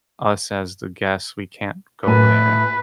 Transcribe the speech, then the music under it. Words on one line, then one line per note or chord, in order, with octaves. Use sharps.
us as the guests, we can't go there,
A2 B4 G#5